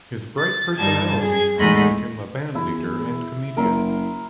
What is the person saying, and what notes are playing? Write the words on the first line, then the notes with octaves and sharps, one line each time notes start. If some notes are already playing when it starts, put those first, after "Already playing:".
His bright personality soon made him a bandleader and comedian.
A6
G2 G3 D#4 A5 G#6
G#4 G#6
E2 G#3 A3 D#4 D#5 B5
E2 E4
F#1 A#4 E5 C6